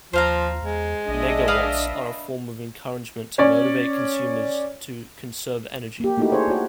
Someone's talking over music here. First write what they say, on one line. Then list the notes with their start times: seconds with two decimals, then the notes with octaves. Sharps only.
Negawatts are a form of encouragement to motivate consumers to conserve energy.
0.13 D#2 F3 C5 F5 A#5
0.62 E2 G#3
1.08 A#1 D4 D#5 E5
1.48 B4 F5 D#6
3.38 C#4 C#5 D5
6.00 A#3 G4
6.18 A3 A#3 D#4 E4 F#4 G4
6.32 D4 G#4 C5 C#5
6.50 F#4 C#5